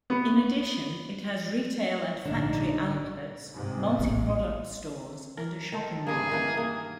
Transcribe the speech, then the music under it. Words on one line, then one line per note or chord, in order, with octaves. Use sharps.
In addition it has retail and factory outlets, multi-product stores and a shopping mall.
B3
A#1 G#2 D3 D4 D#4
G#2 C3
A1 A#3
A#4
D#3 A4
G2 A#3 G#4
D#3 E3 A#3
A#3